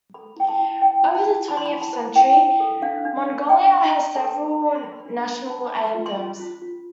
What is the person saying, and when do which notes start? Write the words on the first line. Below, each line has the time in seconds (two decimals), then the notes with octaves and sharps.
Over the twentieth century, Mongolia had several national anthems.
0.14 A4 B5
0.36 E4 G5
0.48 A5
0.59 E4
0.81 E4 G5
1.03 E4 B5
1.15 A5
1.26 E4
1.48 E4 B5
1.57 C6
1.66 B5
1.71 E4
1.82 A5
1.93 C5
2.16 E4 G5
2.38 E4
2.60 A4
2.82 D4 F5
3.05 D4
3.27 D4
3.49 D4 G5
3.72 D4
3.94 D4
4.16 A4 A5
4.39 A4
4.61 D4
4.75 C6
4.83 D4 B5
5.05 D4
5.28 D4
5.50 C5 A5
5.72 C5
5.84 C6
5.94 F4
6.06 C6
6.17 F4
6.40 F4
6.62 F4